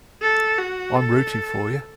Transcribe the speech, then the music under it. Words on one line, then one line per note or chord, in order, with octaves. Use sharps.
I'm rooting for you!.
A4
F#4
A4